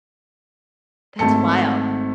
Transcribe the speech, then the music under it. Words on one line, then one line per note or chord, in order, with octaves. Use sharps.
That's wild.
G#1 A3 A5 C#7